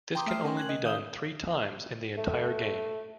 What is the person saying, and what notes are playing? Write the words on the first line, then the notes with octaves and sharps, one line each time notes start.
This can only be done three times in the entire game.
G5 A#5 C6 D6 D#6
A3 E5 F6 C7
C#4 A#4 G5 G#5 C6
F#6 G#6 F#7
D#5
D#3 F5 D#6 G6 G7
A3